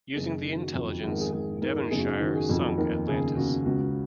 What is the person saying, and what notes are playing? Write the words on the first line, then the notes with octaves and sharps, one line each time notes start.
Using the intelligence, "Devonshire" sunk "Atlantis".
F#1 G#4
D#3
F#4
F2
G#1 G#4
A#4
G#4
G#1 G#4
G#2 A#4
F#1 G#4
F#4
G#4
D#3
F#4
G#4
F2
D#2 A#4
C#3 G#4
C#3 F#4
C#2 F#4